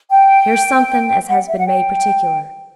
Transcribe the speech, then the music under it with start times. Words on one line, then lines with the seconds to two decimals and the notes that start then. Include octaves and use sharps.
Here's somethin' as has been made particular.
0.10 G5
1.28 F#5
1.47 E5
1.57 F#5
1.67 G5